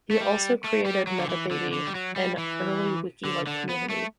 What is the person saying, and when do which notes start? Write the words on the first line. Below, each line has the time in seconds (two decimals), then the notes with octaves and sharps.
He also created Metababy, an early wiki-like community.
0.11 A3
0.21 G3
0.64 A3
0.86 G3
1.07 F#3
1.19 D3
1.29 E3
1.51 D3
1.73 D3
1.87 G3
1.95 F#3
2.16 G3
2.38 E3
3.25 D3
3.47 D3
3.69 B3
3.90 A3